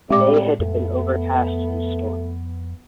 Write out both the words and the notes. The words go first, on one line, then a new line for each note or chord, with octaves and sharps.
The day had been overcast and stormy.
A2 G3 G#3 C4 G4 D6
F2 A3 B3